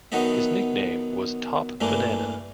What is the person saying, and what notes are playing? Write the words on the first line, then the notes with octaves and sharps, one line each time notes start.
His nickname was Top Banana.
D#3 F#3 B3 D#4 A4 E5
G2 E3 G3 A3 A#3